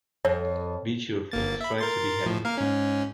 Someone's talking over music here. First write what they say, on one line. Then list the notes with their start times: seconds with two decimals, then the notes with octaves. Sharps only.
Be cheerful. Strive to be happy.
0.25 F2 C#5
1.32 G1 A#3 A6
1.61 E5 B5
1.78 A#4 C6 A6
2.26 A2 F3
2.45 A#3 A#4 F5
2.57 G#2 C#4